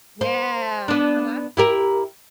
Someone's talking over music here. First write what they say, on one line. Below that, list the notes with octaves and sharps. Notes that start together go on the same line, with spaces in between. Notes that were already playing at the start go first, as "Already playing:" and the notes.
Yeah. Uh-huh.
C5
B3 D4
E4 G4 A#4